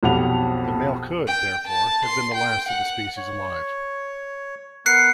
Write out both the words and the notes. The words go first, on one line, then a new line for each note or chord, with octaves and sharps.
The male could, therefore, have been the last of the species alive.
B1 F2 G4 F#5 B5 F7
G5
A5
C6
G5
F#5
C#5
B3 A#4 F#6 C7 C#7